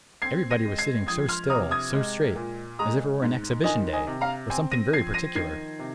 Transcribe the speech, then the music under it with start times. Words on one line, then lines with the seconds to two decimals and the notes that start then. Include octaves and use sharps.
Everybody was sitting so still, so straight--as if it were an exhibition day, or something very particular.
0.22 C4 G#6 C7
0.51 A#6 D#7
0.65 G#3
0.78 G#6 C7
1.07 F3 D#6 G#6
1.29 C6 F6
1.50 C3 A#5 D#6
1.71 D#6 G#6
1.93 G#3
2.36 A#2
2.79 G#3 A#5 D#6
3.22 G#2
3.64 D#3 D#5 G#5
3.93 D#5 G#5
4.07 C3
4.21 F5 A#5
4.50 C4 G#5 C6
4.71 A#6 D#7
4.93 F3 G#6 C7
5.14 A#6 D#7
5.35 D#3 G#6 C7
5.79 C3